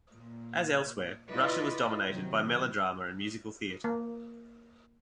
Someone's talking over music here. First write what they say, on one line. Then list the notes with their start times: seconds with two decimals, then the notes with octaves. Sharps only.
As elsewhere, Russia was dominated by melodrama and musical theatre.
0.11 A#2
1.29 E4 F4 B4 D5 D#5
2.06 C3 D#3 F#3
3.84 A#3